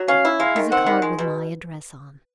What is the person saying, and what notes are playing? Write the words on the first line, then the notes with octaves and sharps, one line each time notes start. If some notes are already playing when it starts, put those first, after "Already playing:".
Here's a card with my address on.
Already playing: F#3
C#4 F5
E4
G#3 F5
D#3
C4 F#5
D#3
G#3
B2